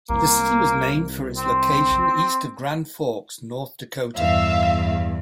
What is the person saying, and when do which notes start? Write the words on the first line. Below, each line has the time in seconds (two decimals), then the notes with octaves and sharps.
The city was named for its location east of Grand Forks, North Dakota.
0.10 C2 A#3
1.37 C4
4.16 E2 G2 E5 F5